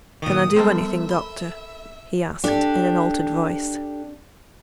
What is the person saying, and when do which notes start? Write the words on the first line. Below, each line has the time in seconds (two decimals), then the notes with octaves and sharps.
'Can I do anything, Doctor?' he asked, in an altered voice.
0.22 A#2 D#3 C#6 D#6
0.56 G3 B3 A4 A#4 C5 E5
1.11 B5
2.44 D4 G4 A4